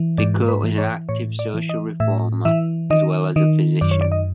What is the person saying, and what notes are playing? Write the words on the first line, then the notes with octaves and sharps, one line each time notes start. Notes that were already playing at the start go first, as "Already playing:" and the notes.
Picotte was an active social reformer as well as a physician.
Already playing: E3
G#2 D5
B4
E3
C#5
A2 C#5
D5
E3
D#5
A2 E5
E3 E5
D#3 D#5
D#3 D#5
F#2 D5
C#5
D5
D#5